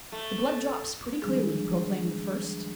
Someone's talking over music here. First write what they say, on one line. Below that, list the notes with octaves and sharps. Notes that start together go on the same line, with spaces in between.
The blood drops pretty clearly, proclaimed the first.
A3
D#3 F3 G3 G#3 D4 G#4